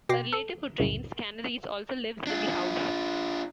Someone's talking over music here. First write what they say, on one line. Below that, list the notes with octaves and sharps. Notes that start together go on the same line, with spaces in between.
A relative who trains canaries also lives in the house.
B2 G5 C6 D6 A#6 C7
A4
C2 F#2 A2 C#3
D4 F4